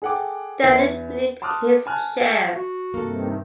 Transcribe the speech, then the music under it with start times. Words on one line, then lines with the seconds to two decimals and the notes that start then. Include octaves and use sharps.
Downing leaped in his chair.
0.02 G#4 A4 F#5 G5 D6
0.63 E2 B3 E4
1.42 A5 C6 D6 D#6 F6 F#6
1.86 G#5 A5 F6 F#6
2.55 F#4
2.94 G2 C3 D#3 A#3 A4